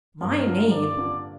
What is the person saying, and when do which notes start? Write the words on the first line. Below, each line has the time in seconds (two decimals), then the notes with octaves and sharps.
My name!
0.21 G2 A#4
0.46 D3 A#3 D4 F4
0.71 G2 D5
0.97 D3 A#3 D4 F4